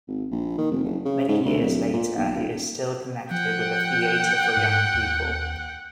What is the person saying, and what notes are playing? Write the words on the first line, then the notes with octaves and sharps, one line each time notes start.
Many years later, he is still connected with the Theatre for Young People.
G#1
A#1
D#3
F1
F#1
C#3
G#2
D2
D1
A#2
B1
D#1
F3 F#5 G5
G#2
D#2